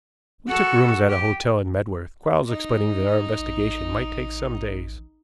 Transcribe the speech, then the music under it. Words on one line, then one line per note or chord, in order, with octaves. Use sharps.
We took rooms at a hotel in Medworth, Quarles explaining that our investigations might take some days.
F#4 A4
G4
D#4
A1